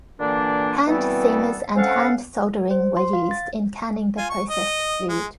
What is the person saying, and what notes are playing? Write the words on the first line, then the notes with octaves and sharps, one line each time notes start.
Hand seamers and hand soldering were used in canning the processed food.
A#2 D3 E3 A#3 D4
B2 E3 G3 B3 C4 A4
C4 C#4 A4 F5 F#5
C5
C6
F5
A6
F4 G#5
C#6
D#5
G#3